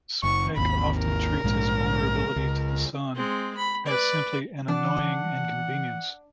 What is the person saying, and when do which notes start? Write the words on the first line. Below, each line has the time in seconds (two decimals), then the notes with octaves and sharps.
Spike often treats his vulnerability to the sun as simply an annoying inconvenience.
0.23 F#1 C#6
0.57 G#1 D#2 B5
0.98 A#4
1.44 A#1 G#2
2.36 C#2
3.14 G#3 C4
3.57 B5
3.86 B4 D5
4.68 E3 D4 F#5